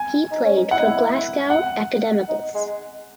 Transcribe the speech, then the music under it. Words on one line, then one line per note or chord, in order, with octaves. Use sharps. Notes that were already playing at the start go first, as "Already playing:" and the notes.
He played for Glasgow Academicals.
Already playing: G#5
D#4
C#4
D#4
E4 F#5
D#4
E4
F#5
D#4
G#3